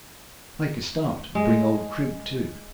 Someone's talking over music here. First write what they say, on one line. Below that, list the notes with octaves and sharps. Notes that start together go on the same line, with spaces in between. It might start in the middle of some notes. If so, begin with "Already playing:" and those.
Make a start, and bring old Crib too.'
G#3